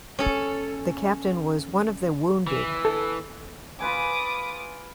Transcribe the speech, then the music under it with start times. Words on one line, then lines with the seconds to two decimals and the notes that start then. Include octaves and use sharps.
The captain was one of the wounded.
0.19 C#4 A4
2.47 E3
2.85 A4
3.80 F4 B4 G#5 B5 D6 D#6